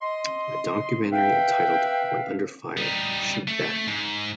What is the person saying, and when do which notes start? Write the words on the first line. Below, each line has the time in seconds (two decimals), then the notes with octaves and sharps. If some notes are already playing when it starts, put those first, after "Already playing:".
A documentary entitled When Under Fire: Shoot Back!
0.02 D#5 C6
1.12 B4 E5 F5 G5
2.77 G3 D#4
3.47 A3
3.87 G#2